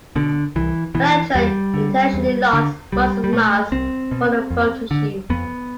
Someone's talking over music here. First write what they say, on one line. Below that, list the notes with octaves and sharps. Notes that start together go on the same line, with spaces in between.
Elektra intentionally lost muscle mass for the photoshoot.
B2 D3
C2 E3
B2 E3
E2 G3
D3
E2
D3
C2 G3
G3
B2 A3
C2 C4
B2
F2
D3
F2 B3